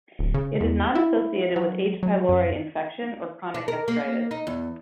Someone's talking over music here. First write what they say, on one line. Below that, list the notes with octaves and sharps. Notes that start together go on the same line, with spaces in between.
It is not associated with H. pylori infection or chronic gastritis.
D1
C#3
E2
E4
F#3
F#3
F#2
D4
A#4
A#3
D#4
E2